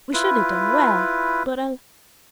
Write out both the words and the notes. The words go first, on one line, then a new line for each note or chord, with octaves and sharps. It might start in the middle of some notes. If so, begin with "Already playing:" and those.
We should have done well, but alas!
E4 F4 B4